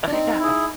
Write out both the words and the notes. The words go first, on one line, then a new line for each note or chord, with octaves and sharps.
Uh, yeah,
D4
C4 D#4
E4 G#4